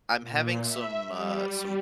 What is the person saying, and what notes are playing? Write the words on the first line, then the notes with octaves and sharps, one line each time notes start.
I'm having some, uh some
A#2
E5
G3